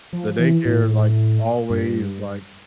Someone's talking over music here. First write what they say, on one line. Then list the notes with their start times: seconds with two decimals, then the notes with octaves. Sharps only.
the daycare is, like, always, like,
0.13 F3
0.39 E3
0.65 A2
1.70 G2